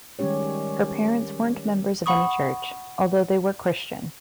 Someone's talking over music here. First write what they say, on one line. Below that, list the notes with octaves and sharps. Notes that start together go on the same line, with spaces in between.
Her parents weren't members of any church, although they were Christian.
D#3 G3 G#3 C#4 G4 C#5
F#5 B5 C#6 D#6